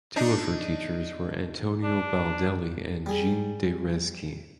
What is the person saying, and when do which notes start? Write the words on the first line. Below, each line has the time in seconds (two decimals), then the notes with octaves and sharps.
Two of her teachers were Antonio Baldelli and Jean de Reszke.
0.16 D4 D#4
1.83 D4
3.06 G3 G#4